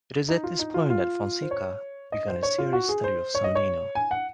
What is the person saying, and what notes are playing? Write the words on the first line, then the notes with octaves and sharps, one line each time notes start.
It is at this point that Fonseca "began a serious study of Sandino".
D#4
F4
D#4
F4
F4
C5
C#5
D#5
C5
C#5
F4
F#4
G#4
C5
C#5
D#5
C#5
G#5
F#5